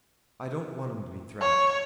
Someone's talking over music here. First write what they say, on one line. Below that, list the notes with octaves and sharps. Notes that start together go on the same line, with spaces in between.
I don't want him to be thrashed.
C#5